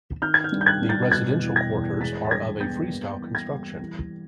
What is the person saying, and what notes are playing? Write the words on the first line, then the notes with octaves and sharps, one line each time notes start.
The residential quarters are of a free-style construction.
D#3 F6 G6
G#6
F6 G6
G2
G6
F#6 G#6
G2
G6 A6
A6
B2 F#6 G#6
E2
G#6 A#6
E2
G#3 A6 B6
A6
G2 G#6 A#6
B3 G6 A6
A#3
E3
G#6 A#6
G3
E3